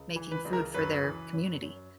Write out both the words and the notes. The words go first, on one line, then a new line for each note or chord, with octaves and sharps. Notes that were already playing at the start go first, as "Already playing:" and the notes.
making food for their community.
Already playing: C#2
E3
B4
C#2
A#4
F#2 B4
E3
F#2
F#2